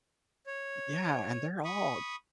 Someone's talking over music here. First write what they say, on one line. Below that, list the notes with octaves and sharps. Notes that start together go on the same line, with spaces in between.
Yeah, and they're all
C#5
B5 C#6 D#6